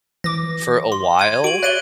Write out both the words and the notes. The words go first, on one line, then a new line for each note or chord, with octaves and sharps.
for a while,
E3 D6 A#6
C6
G#6 D#7
F#4 D7 F#7
C#5 D5 E5 F#6 D#7 G7